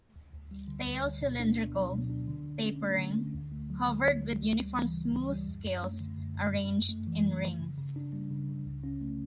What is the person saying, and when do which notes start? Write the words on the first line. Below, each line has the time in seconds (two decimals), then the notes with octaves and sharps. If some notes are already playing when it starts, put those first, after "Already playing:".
Tail cylindrical, tapering, covered with uniform smooth scales arranged in rings.
0.16 D2
0.33 D2
0.51 G3
0.68 D3
0.87 D2
1.04 D2
1.21 B2
1.39 D4
1.58 B3
1.75 F#3
1.92 B2
2.10 D4
2.27 D3
2.46 D3
2.63 C#4
2.81 A3
2.98 D3
3.16 D3
3.35 D2
3.52 A3
3.70 F#3
3.88 D3
4.06 D2
4.22 A3
4.41 D2
4.59 G3
4.77 E3
4.94 C#3
5.12 D2
5.29 G3
5.47 F#2
5.65 F#2
5.83 A3
6.00 D3
6.18 F#2
6.35 F#2
6.53 G2
6.72 G2
6.89 A3
7.07 E3
7.25 G2
7.43 G2
7.60 C#3
7.78 C#3
7.96 D4
8.13 G3
8.30 C#3
8.49 C#3
8.66 C#2
8.84 C#4
9.01 A3